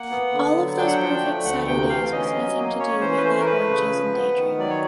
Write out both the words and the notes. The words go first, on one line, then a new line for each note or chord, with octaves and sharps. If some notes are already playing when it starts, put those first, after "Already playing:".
All of those perfect Saturdays with nothing to do but eat oranges and daydream.
Already playing: A#3 F#5
B3
D3
F#3
D4 G5
F#5
F3 G5
A3
D2 F#5
C3 G5
E3 F5
C#4 D#5
F#3
A#3
C#4 C#5
E3 C5
B4
A3 C5
A#4
A3 B4
C#3
F3
B3
D#3
F#3 D5
C#5